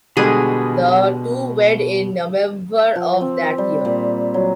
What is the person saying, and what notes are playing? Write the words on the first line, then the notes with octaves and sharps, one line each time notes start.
The two wed in November of that year.
B2 D3 G3 G#3 G#4
F3
C4
G3
A#2
F#3